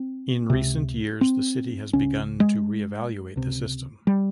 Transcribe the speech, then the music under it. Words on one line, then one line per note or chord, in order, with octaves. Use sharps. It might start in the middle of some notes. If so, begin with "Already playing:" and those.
In recent years, the city has begun to re-evaluate the system.
Already playing: C4
C#2 C3
C4
C#2 C#3 C#4
G#3
C#2 C3
G3